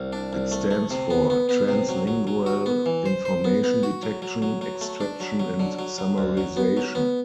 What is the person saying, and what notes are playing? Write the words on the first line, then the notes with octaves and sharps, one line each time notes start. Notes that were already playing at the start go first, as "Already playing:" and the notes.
It stands for Translingual Information Detection, Extraction and Summarization.
Already playing: C2
D4
C2
A3
A3
C3
B3
B3
B3
C3
F#3
F#3
F#3
F#4
B3
E3
C5
C5
B3
B3
F#4
F#3
F#3
F#3
F#3
A3
D4
F#3
F#3
D3
F#3
F#3
D2
F#3
B3
F#3
B3